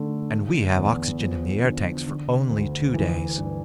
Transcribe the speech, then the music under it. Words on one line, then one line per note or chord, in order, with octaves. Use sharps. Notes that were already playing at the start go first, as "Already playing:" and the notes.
"And we have oxygen in the air tanks for only two days."
Already playing: D3 A3
D3
E2
F3
D3
D3
D2
E3
G2